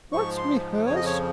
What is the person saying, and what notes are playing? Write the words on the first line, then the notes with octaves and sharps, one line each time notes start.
"What's rehearse?"
G#2 F3 C#6
C6
F2 C#3 F3 C#5
D#5
C#5